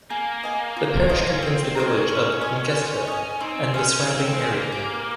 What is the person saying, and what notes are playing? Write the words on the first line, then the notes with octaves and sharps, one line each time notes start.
The parish contains the village of Ingestre and the surrounding area.
A#3 G#4
D#5 G#5
F4
C5 D#5 A#5
C#4
C4 F4
C4
C5 D#5 A#5
C#4
C5
D#5 G#5
C5
D#5 G#5
C4 D#4
C#4 G#4 C5
C4 D#4
C4
G#4 C5
A#3
G4